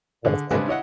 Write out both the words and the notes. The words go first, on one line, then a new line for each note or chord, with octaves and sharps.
Oh, thanks.
D3 G#4
C#3 G3 G#3 C4 D4 B4
E4 C#5 D#5 F#5